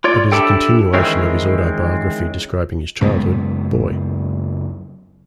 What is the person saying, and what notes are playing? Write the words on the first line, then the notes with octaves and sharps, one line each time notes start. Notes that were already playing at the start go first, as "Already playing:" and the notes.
It is a continuation of his autobiography describing his childhood, "Boy".
F4 C#5 D5
D4 E4 G4 A4 G5
D#3 E3 G#3 C4 C#4 E4
C#2 F#2 B3